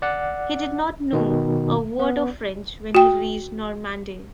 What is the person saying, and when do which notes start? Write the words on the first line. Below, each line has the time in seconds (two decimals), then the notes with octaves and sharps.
He did not know a word of French when he reached Normandy.
0.02 D5 F#5
1.13 B2 D#3
1.99 B3
2.95 F#4 G5